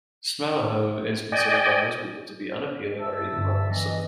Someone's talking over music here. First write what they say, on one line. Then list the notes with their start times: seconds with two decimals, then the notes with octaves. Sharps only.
"Smalahove" is considered by most people to be unappealing or even repulsive.
1.32 D5 D#5 G5 G#5
2.99 E5 A5 E6
3.32 G2 D3
3.69 E3 G3 B3 D#5